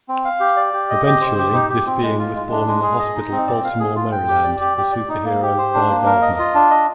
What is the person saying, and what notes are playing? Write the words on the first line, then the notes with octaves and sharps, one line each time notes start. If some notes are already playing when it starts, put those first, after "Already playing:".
Eventually this being was born in a hospital Baltimore, Maryland, the superhero Guy Gardner.
C4
F5
G4
D5
G4
D#5
G4
C5
G4
D#4
G4
C4
G#3
F4
G#3
D4
G#3
G#4
D#5
D#4
C4
D5
F5
G#4
F4
G5
G4
D5
G4
G4
D5
D#4
A#3
G4
C5
D4
A#3
A#4
D#5
F4
D4
D#5